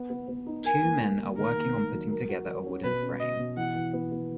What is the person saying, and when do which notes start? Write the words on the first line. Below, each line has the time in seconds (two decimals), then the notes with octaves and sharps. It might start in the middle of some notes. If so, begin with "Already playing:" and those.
Two men are working on putting together a wooden frame.
Already playing: B3
0.10 B3
0.28 B3
0.46 D#4
0.65 A#4 G#5
0.83 A#3
1.01 A#3
1.20 A#3
1.38 D#3 A#4
1.56 A#3
1.74 D#3
1.93 F#3
2.11 A#4
2.29 F#4
2.48 A#4
2.66 C#4
2.84 B2 B4
3.02 C#4
3.20 B2 D#5
3.39 B2
3.57 E3 F#5
3.75 E3
3.93 B3
4.12 B3